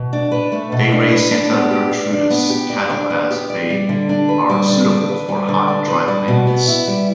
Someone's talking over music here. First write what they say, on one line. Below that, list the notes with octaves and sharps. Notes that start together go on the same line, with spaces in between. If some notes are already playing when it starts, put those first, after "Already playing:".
They raise Santa Gertrudis cattle as they are suitable for hot, dry climates.
Already playing: B2
D4
B4
A3
B2
D4
B4
D4
B3
G4
D5
D4
B3
G4
D5
D4
B3
G4
D5
G3
D3
D4
B4
G3
D3
D4
B4
G3
D3
D4
B4
G3
B2
B3
E4
G3